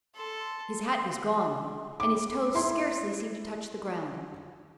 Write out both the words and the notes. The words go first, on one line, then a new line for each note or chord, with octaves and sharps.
His hat was gone, and his toes scarcely seemed to touch the ground.
A4 C6
D6
E4 C6